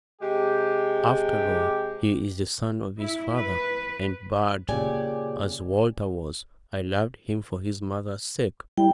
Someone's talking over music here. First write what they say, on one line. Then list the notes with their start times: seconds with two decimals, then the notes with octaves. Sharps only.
After all, he is the son of his father, and, bad as Walter was, I loved him for his mother's sake.
0.22 C3 G#3 G4
2.99 E4
3.35 B4
4.69 A#2 C#3 G4 D5 G#5
8.78 G3 E4 G5